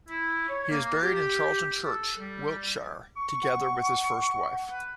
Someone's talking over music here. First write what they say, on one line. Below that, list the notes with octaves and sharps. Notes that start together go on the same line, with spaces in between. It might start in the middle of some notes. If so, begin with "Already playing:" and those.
He is buried in Charlton Church, Wiltshire, together with his first wife.
E4
C#5
A#3
G4
A4
G3
C#6
F#5
B4